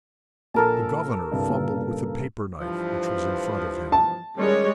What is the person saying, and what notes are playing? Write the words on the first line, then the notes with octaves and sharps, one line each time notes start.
The governor fumbled with a paper-knife which was in front of him.
A#1 A4 A#4 A5
C2 G2
G2 A#2 C#3
G2 E3 F3
A5
A2 D#3 G3 G#3 C#4 C#5